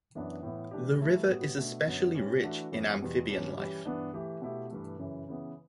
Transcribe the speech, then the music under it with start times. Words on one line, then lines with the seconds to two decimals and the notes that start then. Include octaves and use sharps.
The river is especially rich in amphibian life.
0.15 F#2 E3 B3 D4
0.43 A2 E3 B3
0.71 E3 A3 D4 G4
1.01 E3 A3 E4 G4
1.28 A2 G3 B3 F#4
1.57 B2 A3 D4
1.86 F#2 D3 F#3 B3 F#4
2.14 A2 G3 C#4 G4
2.42 E3 A3 D4 F#4
2.72 F#2 E3 B3
2.99 E2 B2 G3
3.28 G2 F#3 C#4
3.57 E3 G3 C#4 E4
3.85 G2 E3 B3 D4
4.13 E3 A3 E4 G4
4.42 B2 A3 E4 G4
4.70 G2 E3 A3
4.99 F#2 C#3 E3
5.28 C#3 E3 B3